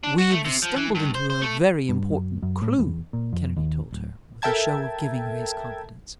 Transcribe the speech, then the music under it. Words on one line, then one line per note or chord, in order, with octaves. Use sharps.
"We've stumbled into a very important clue," Kennedy told her, with a show of giving her his confidence.
D4
F#4
A3
C3
F3
E3
G2
C5
C5
A3
G2
F#2
F#2
A2
E2
A#2
F2
D#2
D1
A4 A#4 E5 G5 A5 G#6